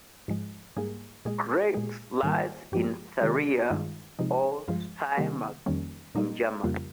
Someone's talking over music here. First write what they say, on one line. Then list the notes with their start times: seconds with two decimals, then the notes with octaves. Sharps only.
Graz lies in Styria, or "Steiermark" in German.
0.28 G#2 F3 G#3
0.77 G#2 G3 A#3 G#4
1.25 A#2 G#3 G#4
1.74 A#2 G#3 G#4
2.23 G#2 D#3 G3 A#3
2.72 G2 F3 G#3 G4
3.21 C3 D#3 G#3 G4
3.70 G2 D#3 G#3 F4
4.19 C3 F3 G#3 D#4
4.68 G2 F3 G#3 F4
5.17 C3 D#3 G3 A#3 G4
5.66 F2 D#3 G3 A#3 C#4
6.15 A#2 G3 A#3 D#4
6.64 F2 C#3 G3 A#3 F4